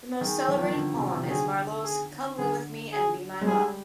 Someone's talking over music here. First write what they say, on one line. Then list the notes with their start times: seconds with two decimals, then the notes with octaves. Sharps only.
The most celebrated poem is Marlowe's 'Come live with me and be my love'.
0.21 D#3 G#4
0.48 D#3
0.56 F3
0.63 D#3
0.76 D3
0.94 C3
1.03 D3
1.12 C3
1.24 D#3
1.30 D3 G#4
1.84 G#4
2.38 D3 G#4
2.92 G#4
3.41 G#3
3.47 G3 G#4